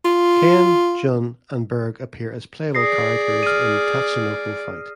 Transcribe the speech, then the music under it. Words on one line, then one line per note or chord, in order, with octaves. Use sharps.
Ken, Jun and Berg appear as playable characters in "Tatsunoko Fight".
F4
G#4 D5 D#6 A#6 C7
F6 D#7